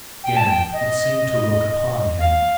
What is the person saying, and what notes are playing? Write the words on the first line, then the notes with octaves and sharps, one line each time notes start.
Again it seemed to look upon him.
G5
A5
G5
D#5
F5